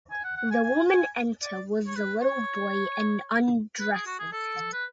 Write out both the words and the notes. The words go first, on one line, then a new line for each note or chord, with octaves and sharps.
The woman enter with the little boy and undresses him.
G#5
F#5
F#5
G#5
G#5
G#5
D5
C#5
B4
C#5
B4
G#4
F#4
G#4
A4
B4